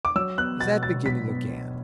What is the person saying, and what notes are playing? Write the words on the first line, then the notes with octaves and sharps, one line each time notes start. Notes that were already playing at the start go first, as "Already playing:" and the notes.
Is that beginning again?'
D6
F#3 E6
B3 F#6
B2 A6
B2 A6
F#3 B6
B3
B2